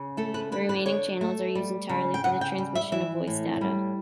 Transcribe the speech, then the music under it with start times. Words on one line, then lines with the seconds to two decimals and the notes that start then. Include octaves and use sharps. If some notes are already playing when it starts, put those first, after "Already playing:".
The remaining channels are used entirely for the transmission of voice data.
Already playing: C#3
0.17 A3 A4
0.34 B4
0.52 D3 B4
0.69 B4
0.86 D3 C#5
1.21 A3
1.55 G3
1.89 C#3
2.14 G5
2.24 C#3 F#5
2.41 G5
2.58 G3
2.75 E5
2.92 E3 E5
3.27 A2
3.61 G3